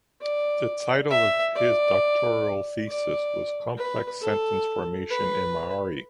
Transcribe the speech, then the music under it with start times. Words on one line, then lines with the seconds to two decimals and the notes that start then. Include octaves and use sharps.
The title of his doctoral thesis was "Complex sentence formation in Maori".
0.22 D5
1.10 E5
1.55 D5
2.88 D5
3.78 B4
4.22 A4
5.11 B4